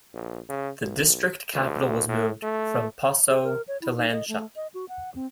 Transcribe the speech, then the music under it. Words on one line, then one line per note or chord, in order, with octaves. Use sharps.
The district capital was moved from Passau to Landshut.
A#1
C#3
B1
D2
A2
A3
G#4
A#4
C#5
E4
D#4
D#5
A3
D#5
F#4
F#5
C4